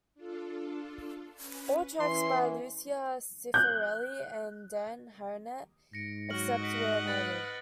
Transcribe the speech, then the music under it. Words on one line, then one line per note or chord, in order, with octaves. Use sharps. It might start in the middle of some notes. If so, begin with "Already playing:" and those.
All tracks by Lucia Cifarelli and Dan Harnett except where noted.
D4 F4 A4
C#4 B4
E3 C#4 E4 C6
F#6 G6
G#2 A#6 C#7 D7
F#3 F#4 F6 F#7
D#5 F#5 F#6 B6 D7
B4 A6